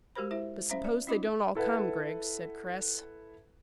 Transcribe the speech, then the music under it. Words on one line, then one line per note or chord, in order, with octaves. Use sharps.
"But suppose they don't all come, Griggs?" said Chris.
G#3 F#4 G4 A#4 C5 B5
E4 C5 E5
C#4 C5 E5 F5 A#5
D5
C#4 D#4 F4 D#5 B5 D6
E4 A4 B4 F#5